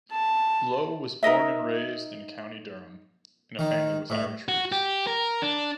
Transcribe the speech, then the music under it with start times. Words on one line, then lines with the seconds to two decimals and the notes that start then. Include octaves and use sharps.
Lowe was born and raised in County Durham, in a family with Irish roots.
0.11 A5
1.23 D#4 A#4 D#5 E5
3.59 D#3
4.10 A2
4.49 F#4
4.72 G4
5.07 A#4
5.42 D4